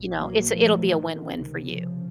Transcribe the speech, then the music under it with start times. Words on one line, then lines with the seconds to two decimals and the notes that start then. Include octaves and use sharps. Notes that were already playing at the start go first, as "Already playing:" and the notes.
you know, it's it'll be a win-win for you.
Already playing: A#1 A#2
0.18 F#3 A#3
0.55 F3 A3
0.92 D#3
1.29 C#2 C3 D#3
1.66 C#3 F3